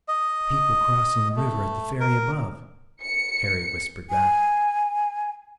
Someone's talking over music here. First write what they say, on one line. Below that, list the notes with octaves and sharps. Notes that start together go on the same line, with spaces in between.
"People crossing the river at the ferry above," Harry whispered back.
D#5
A3
A#4
C#7
G#5